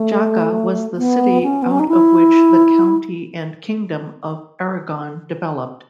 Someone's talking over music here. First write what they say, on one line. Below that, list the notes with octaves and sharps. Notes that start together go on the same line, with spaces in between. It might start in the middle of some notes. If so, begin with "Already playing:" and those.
Jaca was the city out of which the County and Kingdom of Aragon developed.
Already playing: A3
B3
C#4
B3
C#4
D#4
E4